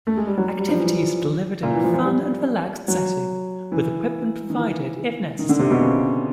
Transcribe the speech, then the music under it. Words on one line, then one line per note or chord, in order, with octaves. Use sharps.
Activities are delivered in a fun and relaxed setting with equipment provided if necessary.
A3
G#3
G3
F#3
G3
F3
E3
A#2
E3
F3
F3
G3
F#3
E3
D#3
E3
D#3
D3
C3
B2
C#3